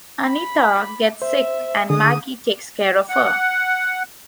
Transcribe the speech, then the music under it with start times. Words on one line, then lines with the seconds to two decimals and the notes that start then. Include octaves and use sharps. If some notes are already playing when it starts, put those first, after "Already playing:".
Anita gets sick and Maggie takes care of her.
0.23 B5
1.22 C5 E5
1.90 D3 G#4 D#6
3.09 F#5